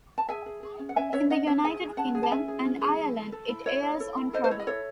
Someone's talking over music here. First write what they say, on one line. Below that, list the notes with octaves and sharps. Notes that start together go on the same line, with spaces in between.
In the United Kingdom and Ireland, it airs on Trouble.
A5
G#4 E5 G#5
G#4
G#4
C#4
F#5
C#4 E5 G#5
C#4 C#5 E5
C#4 D#5 F#5
C#4 C#5 E5
G#4 E5 G#5
G#4
C#4 F#5 A5
G#4
A5
C#4 E5 G#5
G#4
C#4
G#4
E4
A4
A4
E4
A4 C#5 E5
E4
A4
E4
A4 C5 D#5
C5
E4 C#5
D#5
A4 C#5 E5